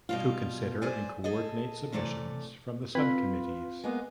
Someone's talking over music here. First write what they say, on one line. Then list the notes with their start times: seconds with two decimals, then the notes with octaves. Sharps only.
To consider and coordinate submissions from the sub-committees.
0.09 B2 G3 F4
0.82 G#4 B4 C5 D5 G#5
1.24 G#4 A4 D#5
1.92 A2 C3 E3 A3 D5
2.95 C4 F4 B4
3.84 G#3 A#3 B3